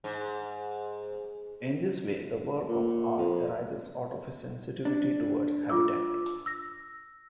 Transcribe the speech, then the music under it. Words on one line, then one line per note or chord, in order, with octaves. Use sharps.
In this way the work of art arises out of a sensitivity towards habitat.
G#2
A#2
F2
D4
F4 D6 E6
E6 A#6